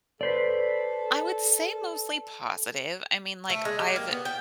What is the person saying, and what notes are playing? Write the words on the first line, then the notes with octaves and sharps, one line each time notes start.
I would say mostly positive. I mean, like, I've
A4 B4 C5 D5
A3
G#3
G4
A#3
B3
G5